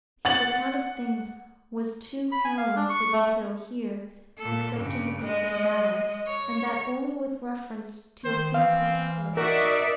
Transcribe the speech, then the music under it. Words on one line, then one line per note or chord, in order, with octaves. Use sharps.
His account of things was too harrowing for detail here, except in the briefest manner, and that only with reference to a few particulars.
F#5 A6 F#7
B5
G#5
F5
D4
C#6
A3
A#2 A4
G2 C#3
G#3 D#5
C#5
D#3 C5
E3 C4 F5
D#4 F#4 A#4 D5 E5